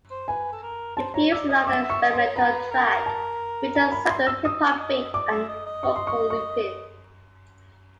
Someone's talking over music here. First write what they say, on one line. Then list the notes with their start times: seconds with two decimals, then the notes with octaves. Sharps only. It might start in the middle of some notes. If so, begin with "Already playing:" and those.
"The Fuse," another experimental track features a subtle Hip-Hop beat and vocal looping.
0.11 C5
0.28 B4 G#5
0.52 A4
0.63 A#4
0.97 C5 A5
1.14 C#5 A#5
1.32 D5 E6
1.49 D#5 D#6
1.66 E5 D6
1.84 E5
1.90 C#6
2.01 D#5
2.13 C6
2.19 C#5
2.36 B4 A#5
2.71 A#4
3.06 A5
3.75 A#5
3.92 B5
4.10 C6
4.27 E6
4.45 D#6
4.79 D#5
5.14 D5 D6
5.31 E5
5.48 D#5
5.66 D#5
5.83 C#6
5.96 C6
6.07 C#6
6.30 C#6